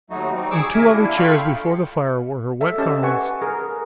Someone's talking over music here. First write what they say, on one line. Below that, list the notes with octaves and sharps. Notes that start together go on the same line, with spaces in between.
On two other chairs before the fire were her wet garments.
D#2 F#3 A3 D#4 F#4
G3 C4 D#4
G#4 C#6 D6 E6
D#2 C3 A#4 E5 G#5 D6
A#3 D4 E4
F4 A4 F5 G5 B5 C#6
A4 E5
C#4 G4 A4 D#5 A5
B4 F#5 G#5 C#6
G#4 A#4